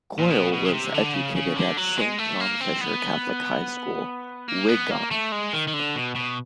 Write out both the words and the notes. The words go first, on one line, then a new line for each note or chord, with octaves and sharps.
Coyle was educated at Saint John Fisher Catholic High School, Wigan.
A#2
B2
B2
C#3
C3
D3
C#3
C#3
D3
F#3
G#3
A3
A#3
C4
B3
A#3
B3
A#3
A3
G#3
D#3
D#3
D3
B2
B2